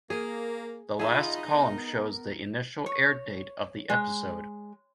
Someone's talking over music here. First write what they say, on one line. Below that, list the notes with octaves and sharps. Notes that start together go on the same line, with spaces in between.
The last column shows the initial air date of the episode.
A#3 G#4
D#4 F4 G#4 D#5 E5 B5
B3 A#4
C#5
G#3